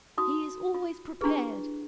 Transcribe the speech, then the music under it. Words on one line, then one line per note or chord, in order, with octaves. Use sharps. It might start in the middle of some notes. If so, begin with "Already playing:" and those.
'He is always prepared!
D#4 F#4 D#6
F4
D4 E4 G4 G#4 B4